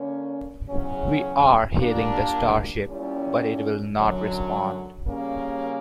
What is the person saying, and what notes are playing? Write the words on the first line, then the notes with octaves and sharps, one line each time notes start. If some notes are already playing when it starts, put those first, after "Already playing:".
We are hailing the starship but it will not respond.
Already playing: D3 A#3 C#4
E2 C#3 F#3 C#4
A#2 G3 A#3 D4
A#2 G3 C#4 E4
F#2 D3 F#3
C#3 G3 A#3 C#4